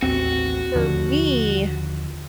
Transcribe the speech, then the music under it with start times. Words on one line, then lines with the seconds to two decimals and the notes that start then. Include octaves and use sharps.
For me,
0.02 A1 D#2 C4 F#4
0.76 D#2 D3 F3